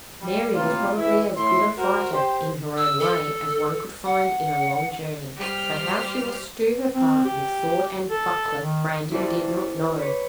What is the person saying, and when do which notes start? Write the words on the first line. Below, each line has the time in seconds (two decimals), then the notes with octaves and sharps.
Mary was probably as good a fighter, in her own way, as one could find in a long journey, but how she was to do her part with sword and buckler Brandon did not know.
0.22 G3
0.54 A2 C3 A#3 F4
0.97 E3 E4
1.36 A2 E4 C6
1.78 F#4 A#4 C5
2.12 G4 C5
2.77 E6
3.00 A4
4.06 F#5
5.37 G3 G4 C5 F6
6.94 C4
7.25 G4
8.10 A4
8.61 D#3
9.12 E4 G4 A4 C5 D5
9.99 B4 C#5